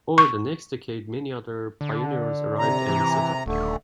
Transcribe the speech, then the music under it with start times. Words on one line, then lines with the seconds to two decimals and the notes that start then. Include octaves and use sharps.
Over the next decade many other pioneers arrived and settled.
0.18 C#6
1.81 D3
2.59 C3 A#5
2.88 E3
3.46 D#1 D3 A3